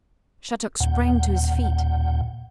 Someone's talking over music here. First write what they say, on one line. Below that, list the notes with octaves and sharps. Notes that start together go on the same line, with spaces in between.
Shattuck sprang to his feet.
D#2 A#2 F#5 G6